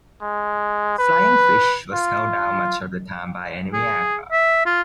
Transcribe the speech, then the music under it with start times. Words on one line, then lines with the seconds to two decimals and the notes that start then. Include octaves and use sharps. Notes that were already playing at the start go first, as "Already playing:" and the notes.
"Flying Fish" was held down much of the time by enemy aircraft.
0.22 G#3
0.99 B4
1.94 F4
3.73 G#4
4.32 E5
4.66 F4